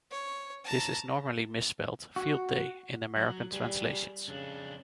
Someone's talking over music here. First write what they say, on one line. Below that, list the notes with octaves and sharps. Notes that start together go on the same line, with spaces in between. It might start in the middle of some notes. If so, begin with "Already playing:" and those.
This is normally misspelled "Field Day" in American translations.
C#5
A5 A#5
F#4
F#3
G3 G#4 B4
F2 C#3 D4